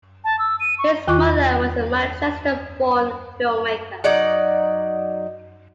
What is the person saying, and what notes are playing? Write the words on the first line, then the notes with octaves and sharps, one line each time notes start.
His mother was a Manchester-born filmmaker.
A5
E6
D#7
C#6
E2 D#3 F4 C#6 D6 F#6
F#3 D#4 D5 F#5